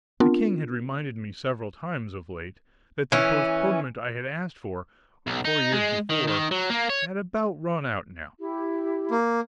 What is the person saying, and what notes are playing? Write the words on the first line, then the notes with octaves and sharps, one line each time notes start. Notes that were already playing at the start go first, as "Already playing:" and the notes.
The king had reminded me several times, of late, that the postponement I had asked for, four years before, had about run out now.
B3 C4 D4 F4 A#4
E3 C#4
B1
D#4
G#3
D#3
D#3
F#3
A#3
C#5
E4 G4
A#3